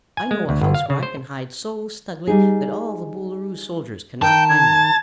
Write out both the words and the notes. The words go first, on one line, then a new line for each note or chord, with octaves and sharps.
"I know a house where I can hide so snugly that all the Boolooroo's soldiers cannot find me."
G#5
G#3
D2
G1
F5
C#3
C5
G3 D#4 G#4
D#3 G5 A5
G#6